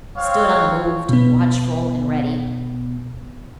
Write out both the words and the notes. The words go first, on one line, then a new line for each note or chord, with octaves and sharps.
He stood unmoved, watchful and ready.
C4 C#5 F5
B2 B3